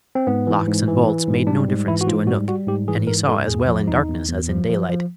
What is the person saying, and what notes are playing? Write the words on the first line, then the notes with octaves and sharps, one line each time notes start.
Locks and bolts made no difference to a knook, and he saw as well in darkness as in daylight.
C4
G#2 B3
E3
G#2
E3
E3
G#2
G3 D4
G#2
E3 E4
F#4
G#2 F4
G3 F#4
G3 F#4
G#2 G4
E3 G#4
G#2 A#4
G#2 A4
E2 G#4
F3
E2 D#4
E2
E2
F3
F3
F3